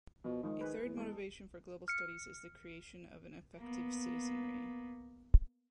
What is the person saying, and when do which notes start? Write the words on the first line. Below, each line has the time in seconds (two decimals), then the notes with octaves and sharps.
A third motivation for global studies is the creation of an effective citizenry.
0.24 B2 F3
0.43 D#3 F3 G#3
0.61 G#4 B4
0.84 E2
0.97 G#3 A4
1.88 F6 C#7
3.59 A#3 B3